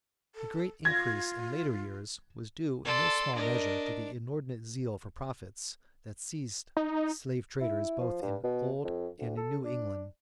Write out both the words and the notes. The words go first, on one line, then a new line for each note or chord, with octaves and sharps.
The great increase in later years was due in no small measure to the inordinate zeal for profits that seized slave traders both in Old and in New England.
A4
F4 G#6 A#6
A4 D5 A5 C6
D4 A#4 D#5
D#4
E4
F3
G2
B2
F2
D2
A4
D4